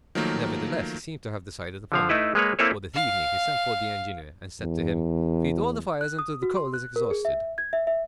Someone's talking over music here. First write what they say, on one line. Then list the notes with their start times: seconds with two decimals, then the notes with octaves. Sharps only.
Nevertheless he seemed to have decided upon one, for that evening he sent for the engineer, and said to him, "Feed all the fires until the coal is exhausted."
0.15 D#3 F3 F#3 A3 A#3
1.92 D3 F3 F5
2.09 A3 D#4 E4 B4
2.35 G#3 A#3 B4 C#5
2.59 A#3 C4 E4 A4 B4 C#5
2.94 F5
4.61 E2
6.01 F#6
6.19 D#6
6.42 F#4
6.57 C6
6.74 F#6
6.96 A#4
7.11 G#4
7.25 E5
7.58 G#6
7.73 E5
7.87 E5